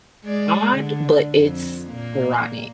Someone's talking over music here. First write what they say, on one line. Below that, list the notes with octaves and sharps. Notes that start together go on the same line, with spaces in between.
Odd, but it's rotten
G#3 D5
D3
F2
A#2 A#3